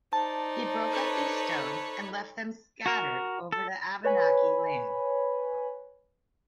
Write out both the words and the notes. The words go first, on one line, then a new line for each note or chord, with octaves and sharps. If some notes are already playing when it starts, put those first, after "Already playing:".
He broke up these stones and left them scattered over the Abenaki land.
D#4 C5 D5 A5
A4 B4 C#5
F#4 A#4
A4
B4 C#5 G#5 B5